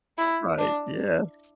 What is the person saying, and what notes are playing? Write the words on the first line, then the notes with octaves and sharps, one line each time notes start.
Right. Yes.
E4
D4